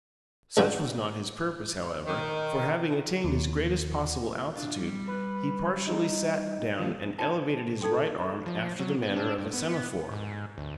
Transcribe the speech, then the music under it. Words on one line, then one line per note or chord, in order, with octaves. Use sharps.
Such was not his purpose, however, for, having attained his greatest possible altitude, he partially sat down and elevated his right arm after the manner of a semaphore.
C#2 G2 F3 F#4 G5
D#3
D#2
D4 F4
G3
B4
D#4
D#3 F3 A3 A#3
D4 D#4 F#4 G5 A5
D#4 A4 G5 C6
F3
F#3
B3
D4
G2
B3
G#2
D2